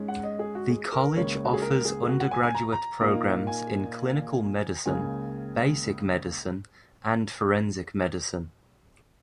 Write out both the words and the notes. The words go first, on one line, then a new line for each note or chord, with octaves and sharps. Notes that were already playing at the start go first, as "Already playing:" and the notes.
The college offers undergraduate programs in Clinical Medicine, Basic Medicine and Forensic Medicine.
Already playing: G#2 G#3 C#4
F#5
D#5
G#4
F#4
G#4
A#4
C#2 C#3 A#3 C#5
F#4
G#4
A#4
G#4
G#4
F#4
F#5
G#5
G#5
A#5
A#5
A#2 A#3 D#4
G#5
C#2 C#3 A#3 G#5